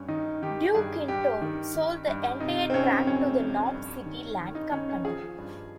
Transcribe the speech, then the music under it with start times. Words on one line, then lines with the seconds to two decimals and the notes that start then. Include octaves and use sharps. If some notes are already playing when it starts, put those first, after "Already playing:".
Duke, in turn, sold the entire tract to the Knob City Land Company.
Already playing: G2 C#4
0.08 D#3 D#4
0.42 D#3 G4
0.75 G2 G#4
1.08 G2 G4
1.42 D#3
1.75 D#3
2.07 G2
2.40 C3 D#4
2.70 C4
2.74 C3 C#4
3.07 F2 C#4
3.40 F2
3.74 G2
4.06 D#3
4.40 D#3
4.55 D#4
4.72 D#3 C#4
4.89 C#4
5.05 F3 G#4
5.38 G2